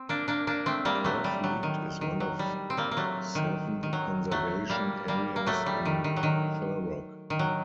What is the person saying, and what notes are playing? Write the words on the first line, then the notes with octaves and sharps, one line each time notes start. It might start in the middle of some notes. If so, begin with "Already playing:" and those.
Purfleet is one of seven conservation areas in Thurrock.
Already playing: C4
A#3 D4
A#3 D4
A#3 D4
A3 C4
G3 A#3
F#3 A3
G3
F#3
D#3
D#3
F#3
G3
C4
G3 A#3
A#3
F#3 A3
D#3
D#3
F#3
F#3 A3
G3 A#3
G3 A#3
A#3
F#3 A3
G3
D#3
D#3
F#3
D#3
D#3
F#3